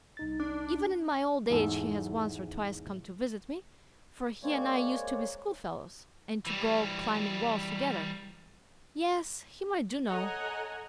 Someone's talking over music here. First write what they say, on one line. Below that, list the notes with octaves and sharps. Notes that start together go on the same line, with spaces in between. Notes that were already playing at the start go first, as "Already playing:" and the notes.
Even in my old age he has once or twice come to visit me, for he and I used to be schoolfellows, and to go climbing walls together. Yes, him I do know.
C2 D#4 A6
D4
E2 G#2 A4
G#3 A#3 C4 C#5 D5
E3 G3
A4 C#5 D#5 F#5 G#5 A#5